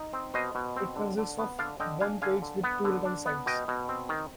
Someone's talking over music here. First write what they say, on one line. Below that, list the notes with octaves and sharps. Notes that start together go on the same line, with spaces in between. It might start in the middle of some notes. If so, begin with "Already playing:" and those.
It consists of one page with two written sides.
Already playing: D#4
C4
B2 C5 D#5
B2
C4
D3
D3
B3
D3 D5 F5
D3 D#5 G5
D4 F5 G#5
D3 F5 G#5
D3
B3
D3
D4
B3
B2 D#5 G5
B2
C4
D#3